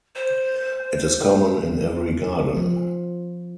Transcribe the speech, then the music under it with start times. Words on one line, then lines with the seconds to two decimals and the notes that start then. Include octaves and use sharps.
It is common in every garden.
0.16 C5
2.57 F3